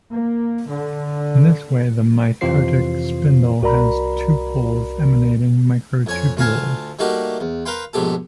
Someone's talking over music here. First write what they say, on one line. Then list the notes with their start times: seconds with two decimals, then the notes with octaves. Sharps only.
In this way, the mitotic spindle has two poles emanating microtubules.
0.11 A#3
0.69 D3
2.41 F2 C3 E3 F4 C5 C7
3.62 C2 F#4 A#4 D5 A#5 B5
6.06 F2 C#5 G#5
6.37 D2 F4 F5 G#5 A5
6.99 G3 A3 A#3 D#4 F#4 G4
7.40 E2
7.65 A#4 B4 F5 G5 C6
7.93 A#1 G#2 B2 G4 A4